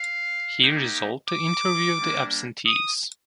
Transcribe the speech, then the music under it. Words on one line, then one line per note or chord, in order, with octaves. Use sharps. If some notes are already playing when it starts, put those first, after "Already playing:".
He resolved to interview the absentees.
Already playing: F5
A#3 D#4 G4
D6
G3 A#3 D4
D#6